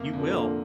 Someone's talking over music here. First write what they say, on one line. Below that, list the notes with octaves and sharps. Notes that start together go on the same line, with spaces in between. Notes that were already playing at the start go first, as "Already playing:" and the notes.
you will.
Already playing: F2 C3 A#3
F2 A#2 D3
C3 A#3